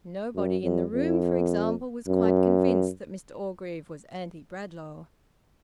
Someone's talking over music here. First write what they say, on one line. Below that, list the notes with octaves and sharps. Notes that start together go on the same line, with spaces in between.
Nobody in the room, for example, was quite convinced that Mr Orgreave was anti-Bradlaugh.
F#2
F2
F2
F#2